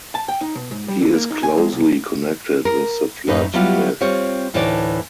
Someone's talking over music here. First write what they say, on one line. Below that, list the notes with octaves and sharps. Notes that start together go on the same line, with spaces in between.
He is closely connected with the Flood myth.
A5
G5
D#4
B2
G#2
G3
D3
A#3
D#4
G#5
G#3
C2
A#4
F#2 A2 D#4 B4
F#3 G3 B3 E4 F4 G4
G3 C4 F4 C#5
D2 A2 E3 D#4 C#5 D5